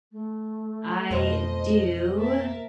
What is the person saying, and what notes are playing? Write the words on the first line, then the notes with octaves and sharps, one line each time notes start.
I do.
A3
F2 B2 F3 C5 D#5
A#3 A#4 E5 A5